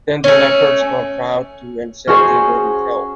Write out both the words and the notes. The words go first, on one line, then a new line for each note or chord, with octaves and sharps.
Then the leopards got proud too and said they wouldn’t help.
A3 C#4
C#4 F#4 G#4 C5